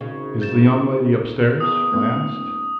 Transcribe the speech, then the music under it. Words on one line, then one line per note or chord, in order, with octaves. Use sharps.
"Is the young lady upstairs?" I asked.
G#1 C#3
G6 A6 E7
E2 D#6
D#1 A3 B3